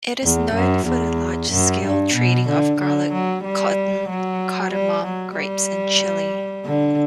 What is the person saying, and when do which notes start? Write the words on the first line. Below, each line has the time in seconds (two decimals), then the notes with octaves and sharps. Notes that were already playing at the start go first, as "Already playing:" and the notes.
It is known for the large-scale trading of garlic, cotton, cardamom, grapes and chilli.
0.23 E2
0.55 F#2
0.87 E2
1.52 F#2
1.84 G2
2.15 B2
2.48 D3
2.80 D3
3.12 F#3
3.44 G3
4.09 F#3
4.73 G3
5.04 F#3
5.37 G3
6.65 D3